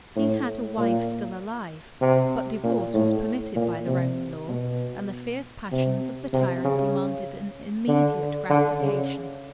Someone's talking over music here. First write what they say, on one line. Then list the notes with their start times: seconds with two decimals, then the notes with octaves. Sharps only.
He had a wife still alive, but divorce was permitted by the Roman law, and the fierce passions of the tyrant demanded an immediate gratification.
0.16 A2
0.77 A#2
2.01 C3
2.63 A#2
2.93 A2
3.55 A#2
3.87 C3
4.48 B2
5.72 C3
6.33 C3
6.64 C#3
7.88 D3
8.49 D3
8.80 C#3